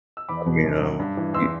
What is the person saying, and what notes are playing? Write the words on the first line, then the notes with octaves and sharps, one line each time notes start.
I mean, um, y
E6
E2 B5 D6
B2
F#2
F#3
G2
E3
E2 C6 E6